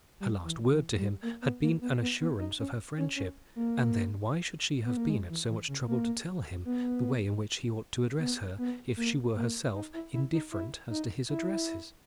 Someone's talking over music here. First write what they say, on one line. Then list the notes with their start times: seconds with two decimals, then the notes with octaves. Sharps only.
Her last word to him had been an assurance of her friendship; and then why should she have been at so much trouble to tell him the way in which he ought to address her if she were herself indifferent as to his addresses?
0.20 G3
0.45 E3
0.71 E3
0.97 G3
1.22 A#3
1.42 B3
1.62 A#3
1.81 B3
2.01 B3
2.20 B3
2.38 D#4
2.59 C#4
2.97 C#4
3.16 C#4
3.56 A#3
4.85 B3
4.97 A#3
5.10 G#3
5.29 E3
5.49 E3
5.68 C#3
5.87 A#3
6.65 B3
8.19 B3
8.58 B3
8.97 A#3
9.36 A#3
9.74 D#4
9.94 E4
10.13 E4
10.33 D#4
10.52 E4
10.90 D#4
11.29 E4